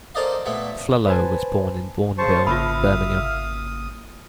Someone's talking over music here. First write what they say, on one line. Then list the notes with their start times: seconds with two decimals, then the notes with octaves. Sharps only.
Flello was born in Bournville, Birmingham.
0.15 A4 A#4 C5 D5 D#5 F5
0.46 A#2 A3 B3
1.07 B4 C5 G#5 A5
2.18 C#3 C5 A5 C#6
2.47 G#1 C#3 A#3 F4 E5 F5 B5 D#6